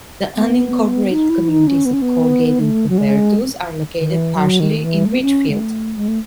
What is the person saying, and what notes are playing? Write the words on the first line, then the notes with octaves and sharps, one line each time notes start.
The unincorporated communities of Colgate and Hubertus are located partially in Richfield.
B3
D#4
E4
D#4
C#4
B3
C#4
B3
A3
F#3
G#3
D#3
E3
F#3
D#3
E3
A3
B3
C#4
G#3
A3
G#3
A3